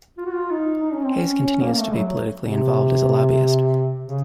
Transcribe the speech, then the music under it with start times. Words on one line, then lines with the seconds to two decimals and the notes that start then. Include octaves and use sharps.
Hayes continues to be politically involved as a lobbyist.
0.17 F4
0.25 F#4
0.33 F4
0.50 D#4
0.82 D#4
0.93 C#4
1.04 C4
1.16 C#4
1.46 C#4
1.62 A#3
1.74 A#3
1.79 A3
1.95 F#3
2.43 C3
4.04 C#3